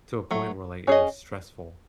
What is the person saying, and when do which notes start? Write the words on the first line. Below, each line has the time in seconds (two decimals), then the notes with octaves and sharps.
to a point where, like, it was stressful,
0.31 F#3 A3
0.87 C#4 G#4 C#5 D#5